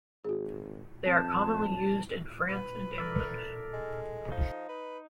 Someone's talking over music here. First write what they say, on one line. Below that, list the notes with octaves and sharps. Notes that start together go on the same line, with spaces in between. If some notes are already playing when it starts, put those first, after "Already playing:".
They are commonly used in France and England.
G#1 F#4 G#4
F2 C4 A5
B4
A4 A#4 D5 E5
G#3
F3 D#4
B4